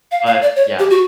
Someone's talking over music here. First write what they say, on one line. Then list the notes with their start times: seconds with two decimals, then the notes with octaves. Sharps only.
but yeah.
0.11 F5
0.27 F5
0.42 D5
0.56 C#5
0.79 G4
0.90 F#4